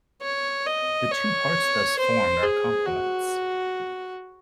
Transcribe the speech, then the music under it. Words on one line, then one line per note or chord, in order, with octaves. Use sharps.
The two parts thus formed are complements.
C#5
D#5
C#5
C5
G#4
F#4